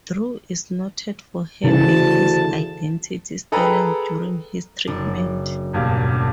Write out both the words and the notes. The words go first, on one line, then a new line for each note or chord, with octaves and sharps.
Drew is noted for having his identity stolen during his treatment.
D2 C#3 E3 A5
G#4 A4 B4 G5 A#5
F#1 D4
E1 G2 A#3